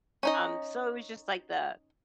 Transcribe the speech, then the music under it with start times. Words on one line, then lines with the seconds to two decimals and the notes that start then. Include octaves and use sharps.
um, so it was just like the
0.23 C#4 D#4 D#5